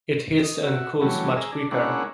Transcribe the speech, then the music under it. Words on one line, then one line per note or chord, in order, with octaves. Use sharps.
It heats and cools much quicker.
D#5
F#4 E5
E3 F#3 G3 A3 C#4
G#4 A#5 E6
D4
G#3 A#3 C#4 D4 E4 F#5